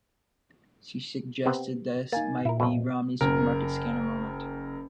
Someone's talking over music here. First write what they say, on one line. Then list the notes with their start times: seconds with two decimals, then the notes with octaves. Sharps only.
She suggested this might be Romney's supermarket scanner moment.
1.46 C3 B3 C4
2.12 A#3 D#4 G#5 A6
2.45 A#2 E4 A#4
2.60 C2 F2 B2
3.21 F#1 A#4